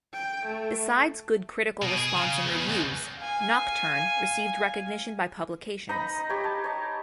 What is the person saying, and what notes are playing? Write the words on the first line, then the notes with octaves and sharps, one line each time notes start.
Besides good critical response in reviews, "Nocturne" received recognition by publications.
G5
A3
B2
G#4
C#3
E2
C#2
F5 G#5
D#4 D#5 A#5 B5
G4 C#5
A5
C#5 D#5